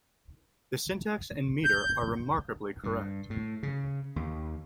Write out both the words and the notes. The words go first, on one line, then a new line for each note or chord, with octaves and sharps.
The syntax and metre are remarkably correct.
G6
G2
A2
C#3
D#2